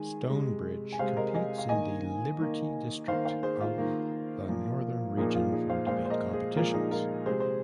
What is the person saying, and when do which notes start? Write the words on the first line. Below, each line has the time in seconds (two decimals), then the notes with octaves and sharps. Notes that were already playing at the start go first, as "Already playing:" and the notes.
Stone Bridge competes in the Liberty District of the Northern Region for debate competitions.
Already playing: D#3 G#3 G#5
0.30 C3 G#3
0.93 G#5
0.99 C3 G#3 C5 F5
1.17 A#4 D#5
1.34 D#5 G#5
1.58 F5
1.69 D#3 A#3 D#5 G#5
2.39 D#3 A#3
3.08 D#3 A#3 C5 F5
3.25 C5 F5
3.43 G#4 C5
3.61 F4
3.78 D#3 A#3
4.48 A#2 F3 A#3
5.17 A#2 F3 A#3 D#4 G#4
5.35 F4
5.52 D#4 G#4
5.70 C5 F5
5.87 A#2 F3 G#3 C5 F5
6.05 C5
6.10 A#4 D#5
6.33 G#4 C5
6.56 A#2 F3 G#3 F4 A#4
6.74 D#4 G#4
6.91 F4 A#4
7.26 C3 G#3 G#4 C5
7.40 C5